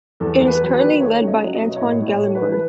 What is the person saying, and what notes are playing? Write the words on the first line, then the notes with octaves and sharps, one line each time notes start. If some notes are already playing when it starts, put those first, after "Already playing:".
It is currently led by Antoine Gallimard.
E2 A4
E2
B4
F#3
B4
D#3
A3 C#5
C#2
D#5
F#3
D#5
B2
C#5
A2 D#5
A2
C#5
A3
B4
E3
B4